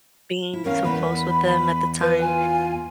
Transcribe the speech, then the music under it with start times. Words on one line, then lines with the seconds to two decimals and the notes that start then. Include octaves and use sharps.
being so close with them at the time,
0.53 E4
0.65 E2 C#4 A#4 F5
0.84 E2 B3 B5
2.01 B4
2.21 F4 G#5